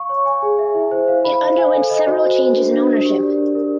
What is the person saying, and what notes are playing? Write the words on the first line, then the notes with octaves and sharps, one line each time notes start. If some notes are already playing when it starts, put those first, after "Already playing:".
It underwent several changes in ownership.
Already playing: F5 C#6
C#5
G#5
G#4
E5
E4
C5
F5
B5
C5
G#5
A4
D#5
F#4
C5
F#4
D4
D4
A#4
G4
D5
D4
A#4